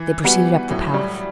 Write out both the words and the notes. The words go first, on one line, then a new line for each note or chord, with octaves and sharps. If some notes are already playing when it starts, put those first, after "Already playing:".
They proceeded up the path.
Already playing: E3
G3 B3 F#4 B4
A2 F#3
G3